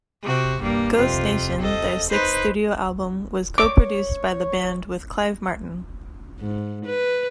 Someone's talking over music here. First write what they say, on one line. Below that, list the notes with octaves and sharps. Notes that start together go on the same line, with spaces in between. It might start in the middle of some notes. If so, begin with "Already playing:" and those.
"Ghost Nation", their sixth studio album, was co-produced by the band with Clive Martin.
C3 F#4
G2 A#3
F2 C3 F4
F2 A4 D#5
D#4 B4 C5
C#5 D6
G#2
B4